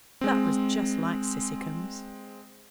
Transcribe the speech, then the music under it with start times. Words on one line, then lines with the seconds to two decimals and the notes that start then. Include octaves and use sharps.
That was just like Cissycums.
0.21 G#3 C4